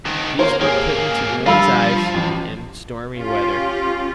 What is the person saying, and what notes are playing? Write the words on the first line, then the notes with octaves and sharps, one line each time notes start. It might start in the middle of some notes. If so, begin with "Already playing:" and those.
These were put into the wind's-eyes in stormy weather.
D2 D#3
A#3 A#4 C5 C#5
G#2 A#3 G4 G#4 C#5
G2 F3 G3 F5 B5 E6
A1
C#4 F4 G4